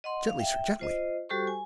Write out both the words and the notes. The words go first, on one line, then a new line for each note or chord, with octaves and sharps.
Gently, sir, gently!
D#5 F#5 C6
F5
E5 G5
F4 C5 D#5
G3 F#4 G4 A4 C5 C#6
G#5